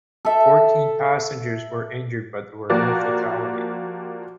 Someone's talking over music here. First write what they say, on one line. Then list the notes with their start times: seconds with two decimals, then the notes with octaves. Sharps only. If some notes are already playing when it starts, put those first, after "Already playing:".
Fourteen passengers were injured, but there were no fatalities.
0.25 A4 E5
2.70 F3 A#3 F#4 G4 D5